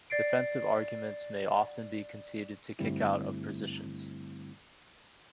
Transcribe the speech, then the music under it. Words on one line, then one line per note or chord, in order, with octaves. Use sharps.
Defensive arguments may often be conceded to "kick out" of positions.
D5 A6 C7 D7
G2 D3 G3 A3 C4 E4